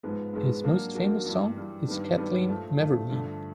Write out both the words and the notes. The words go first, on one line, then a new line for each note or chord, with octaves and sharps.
His most famous song is "Kathleen Mavourneen".
G#2 F3 G#3 B3
G#2 F3 G#3 B3
F#3 A#3 D4 F#4 A#4
F#3 A#3 D4 F#4 A#4
G2 E3 G3
G2 E3 G3
G2 D#3 G3 B3 D4
G2 D#3 G3 B3 D4
A#2 F3 A3
A#2 F3 A3
G2 D3 F3 A3 D4